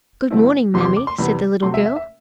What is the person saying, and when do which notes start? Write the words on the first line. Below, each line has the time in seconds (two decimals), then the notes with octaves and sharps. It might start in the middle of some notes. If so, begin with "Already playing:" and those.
"Good morning, mammy," said the little girl.
0.30 G2 D3 A3 C4 E4
0.74 E2 C3 G3 B3 C6
0.81 D6
0.85 C6
0.96 D6
1.07 C6
1.18 E2 C3 G3 B3 B5
1.63 C3 F#3 A3 C6
1.74 E5
1.86 E5
1.96 E5